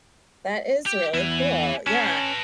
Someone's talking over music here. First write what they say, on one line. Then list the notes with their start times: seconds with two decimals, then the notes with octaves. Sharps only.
That is really cool, yeah.
0.86 G4
1.14 E2 E4 G#5
1.86 C#4 B4 A5